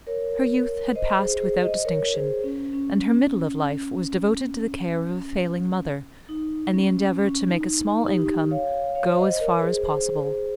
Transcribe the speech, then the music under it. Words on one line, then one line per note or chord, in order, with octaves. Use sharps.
Her youth had passed without distinction, and her middle of life was devoted to the care of a failing mother, and the endeavour to make a small income go as far as possible.
A#4 C#5
C5 D#5
G#4 C5
G#4 C5
C5 D#5
A#4 C#5
G#4 C5
C#4
C#4
D#4
C#4
C#4
D#4
D#4
D#4 G4
C#5 F5
C#5 F5
C5 D#5
D#5
A#4 C#5
G#4 C5
G#4 C5